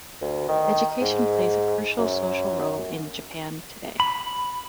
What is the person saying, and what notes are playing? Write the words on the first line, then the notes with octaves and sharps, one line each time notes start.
Education plays a crucial social role in Japan today.
D2
D#3
G#2
F#2
B5